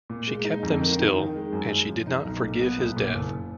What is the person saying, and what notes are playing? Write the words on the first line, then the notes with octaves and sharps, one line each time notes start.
She kept them still, and she did not forgive his death.
A#2
G#3
D#4
F2
D#3
D#3
D#3
G#3
F#2
F#2
F3
D#4
B1
A#2
B3
B1
A#2
F#1